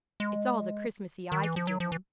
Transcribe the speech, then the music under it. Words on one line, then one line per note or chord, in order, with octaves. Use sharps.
It's all the 'Christmassy' I could give them.
G#3
D#3
E3
F3
F#3
F3
E3